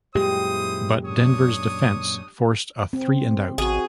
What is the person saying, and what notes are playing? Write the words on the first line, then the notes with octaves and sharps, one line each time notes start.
But Denver's defense forced a three-and-out.
F#2 A#2 G#3 E4 G4 C5 D#6
D4 C#5 D#6
C4
A1 F#4 G#4